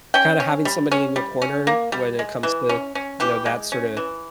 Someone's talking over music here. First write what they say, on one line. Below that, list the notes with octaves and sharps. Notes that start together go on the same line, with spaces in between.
Kinda having somebody in your corner when it comes to, you know, that sorta
C#4 G5
C#4
G3
C#4
G3
C#4
A#3
G3
G#3
E3
C#4
C#4
E3 G4
G#3
C#4
E3